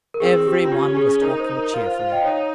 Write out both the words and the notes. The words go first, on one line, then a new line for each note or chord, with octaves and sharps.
Every one was talking cheerfully.
A#4
C4 G#4
G4
F4
C#4 G4
G#4
D#4 A#4
C5
A#4
F4 A#4
C5
C5
D#5 G5
D#4 C#5 F5